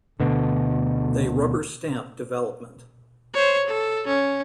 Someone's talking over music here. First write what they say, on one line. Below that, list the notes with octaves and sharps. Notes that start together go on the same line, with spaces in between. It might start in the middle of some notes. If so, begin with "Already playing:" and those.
They rubber-stamp development.
D2 B2 D3
C5 C#5
A4
C#4